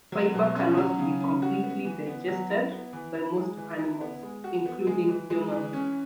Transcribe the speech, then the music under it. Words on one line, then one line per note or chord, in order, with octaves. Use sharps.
Fiber cannot be completely digested by most animals, including humans.
F#3
B2
C#4
F#3
C#3
C#4
F#4
B3
E3
B3
F#3
E4
B3
E3
E4
G#3
E3
E4
B3
G#3
F#4
B3
G#3
E3
G#3
E3
C#4